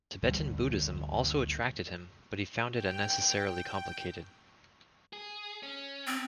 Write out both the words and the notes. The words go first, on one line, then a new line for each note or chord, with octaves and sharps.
Tibetan Buddhism also attracted him, but he found it unnecessarily complicated.
G1 D2 E3 G3
G5
G#4
C#4
C4